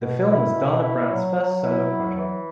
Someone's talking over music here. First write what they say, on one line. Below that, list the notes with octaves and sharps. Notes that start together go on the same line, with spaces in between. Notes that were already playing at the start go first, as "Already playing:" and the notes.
This film was Dana Brown's first solo project.
B2
E4
B2
E4
F#3
F#3
E4
F#3
E3